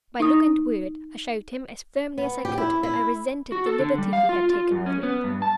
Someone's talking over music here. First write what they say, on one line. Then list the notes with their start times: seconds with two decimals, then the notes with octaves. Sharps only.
By look and word, I showed him, as firmly as I could, that I resented the liberty he had taken with me.
0.20 D#4 D#6
2.18 B3
2.45 G4
2.58 E4
2.83 E4
3.52 F#4
3.66 A4
3.79 D3
3.98 G3
4.13 F5
4.29 F4
4.50 F4
4.72 F#2
4.86 C#4
5.03 B3
5.24 G2
5.42 A5